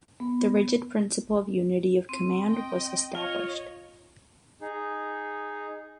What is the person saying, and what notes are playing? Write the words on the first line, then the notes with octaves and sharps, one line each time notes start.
The rigid principle of unity of command was established.
B3
C4
D#5 G5
F4 C#5 D#5 F5
D#4 G#4